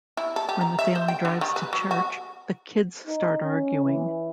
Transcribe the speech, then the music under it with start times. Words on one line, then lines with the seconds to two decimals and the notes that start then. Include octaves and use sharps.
When the family drives to church, the kids start arguing.
0.17 E4
0.36 A4
0.49 G4
0.61 A#5
0.79 E5
0.96 C5
1.08 G5
1.25 D3
1.41 D#3
1.56 B4
1.73 F#3
1.91 F#4
3.07 D#4
3.44 C#4
3.84 E3